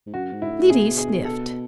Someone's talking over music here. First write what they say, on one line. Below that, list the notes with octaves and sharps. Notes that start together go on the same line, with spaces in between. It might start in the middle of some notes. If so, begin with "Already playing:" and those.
Liddy sniffed.
G#2
F#2 F#4
G#2
E4
A2
B2 G#4
G#4
A4